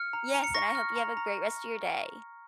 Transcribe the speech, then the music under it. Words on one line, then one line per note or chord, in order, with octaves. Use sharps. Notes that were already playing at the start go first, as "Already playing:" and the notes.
yes, and I hope you have a great rest of your day.
Already playing: F6 C#7
A#5
A#5
C#7
C#6 A#6
F6
A#5
A#5